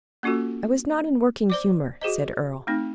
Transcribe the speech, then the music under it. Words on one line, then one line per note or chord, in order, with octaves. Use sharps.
"I was not in working humor," said Earle.
A#3 C#4 F4 F#4 A4
C5 D5 D6
F#4 G#4 C5 D#5
A3 C4 D#4